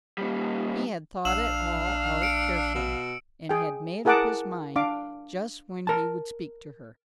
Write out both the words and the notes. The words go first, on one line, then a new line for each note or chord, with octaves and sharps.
He had thought it all out carefully and had made up his mind just when he would speak to her.
A#2 G3
A#1 D4 F5 E6 E7 F#7
C#7 D7
B2
G#4 G5
E4 G#4 A#4 F#5 A5 D6
D4 F5 D6
A#4 A5